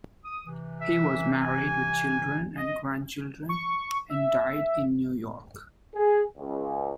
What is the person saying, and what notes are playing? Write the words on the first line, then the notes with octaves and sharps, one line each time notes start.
He was married with children and grandchildren, and died in New York.
D#6
C3 E3
E5
G#5
D#5
C#6
E5
G#4
C#2